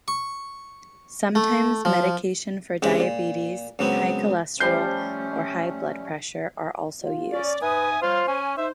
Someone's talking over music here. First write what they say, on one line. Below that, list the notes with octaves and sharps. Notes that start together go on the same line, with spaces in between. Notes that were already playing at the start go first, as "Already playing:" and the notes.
Sometimes medication for diabetes, high cholesterol, or high blood pressure are also used.
C#6
A3
F3
C#3 G#3 C4 G4
A#2
C#2 F#3 B3 C4
F3 G3 A3 C#4 G6 C7
F4
C#4 D5
G#2 B4 E5 G#5 D#6
G3 F4 C5 C#5 F5
C#4 G#5
D#4 C5 E5